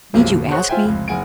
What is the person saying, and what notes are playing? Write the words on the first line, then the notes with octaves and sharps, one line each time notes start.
"Need you ask me?"
B1 F#2 C3 F3 G#3 A#3
D#2 B2
G#4 C5 C#5 F#5 C#6 F#6
F4 C5 E5 G5 G#5
F1 C#2
F#1 G#4 F#5 G#5 D7